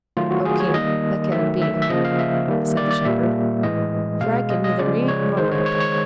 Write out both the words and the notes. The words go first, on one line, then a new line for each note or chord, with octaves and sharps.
"O king! that cannot be," said the shepherd; "for I can neither read nor write."
D#3 F#3 A3 F4
F#4
G#4
C#5
D#3 G3 A#3 D#5
D#3 F#3 A3 E5
E5
E5
C#3 F3 A#3 D#5
F5
E5
D#3 G3 A#3
D5
D5
A#2 G3 A#3 E5
A2 E3 G#3 D#5
B2 G#3 F5
D#5
D#5
C#3 F3 G#3 D5
C#5
D#3 G#3 C5
C#5
C#5
C#5